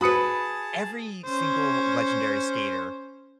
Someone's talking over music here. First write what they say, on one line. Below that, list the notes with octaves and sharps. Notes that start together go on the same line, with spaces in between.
every single legendary skater
F#4 G#4 B4 A5 B5 D#6 C#7
C#4 C5